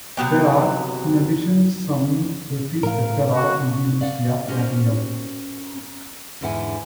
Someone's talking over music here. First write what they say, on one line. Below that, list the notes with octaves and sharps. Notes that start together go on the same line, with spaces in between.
There are, in addition some British Diptera in the University of Nottingham.
C3 F#3 B3 G5
A2 A#4 F5
F#4
D5 F5 F#5
B3 C#4 F#4 G4 A#4 C5
E2 G#2 D3 E4 F#5 G#5